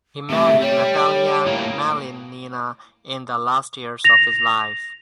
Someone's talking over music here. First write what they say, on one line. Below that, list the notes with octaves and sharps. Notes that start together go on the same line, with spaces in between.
He married Natalia Malinina in the last years of his life.
A2 C3 E5
G3 C#5
A2 A#3
A#6 F7